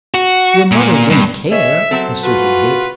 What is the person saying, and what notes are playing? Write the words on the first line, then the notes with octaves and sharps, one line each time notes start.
"Your mother won't care," asserted Vic.
F#4
A#2
G2
G#4 C#5 D#5 E5
F#3 C4 A4
F4 F#4 B4